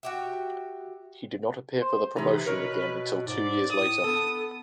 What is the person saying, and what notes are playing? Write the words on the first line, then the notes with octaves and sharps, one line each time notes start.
He did not appear for the promotion again until two years later.
F#4 G4 E5
C5
C3 E3 D#4 B4
B2 A#4 C#5
G#2 D5
A2 D#6
B3 A4